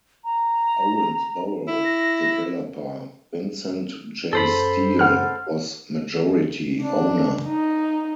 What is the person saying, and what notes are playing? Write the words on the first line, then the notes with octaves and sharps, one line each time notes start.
Owensboro developer Vincent J. Steele was majority owner.
A#5
E4
A#6
F#2 A4 C5 B5
F#5 F6
D4
D#4